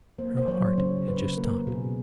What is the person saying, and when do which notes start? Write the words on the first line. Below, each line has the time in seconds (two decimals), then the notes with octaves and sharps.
Her heart had just stopped.
0.18 A#3 C5
0.37 C5
0.48 F#3 C#5
0.78 C#3 C5
1.07 C#3 B4
1.37 A#3 A#4
1.67 B2 G#4